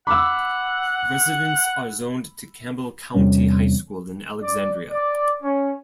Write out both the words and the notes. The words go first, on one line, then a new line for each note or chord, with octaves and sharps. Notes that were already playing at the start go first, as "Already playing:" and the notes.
Residents are zoned to Campbell County High School in Alexandria.
F5 F#5 B5 D6 E6
E2 C3 G3 C#4
D5
D5
C#4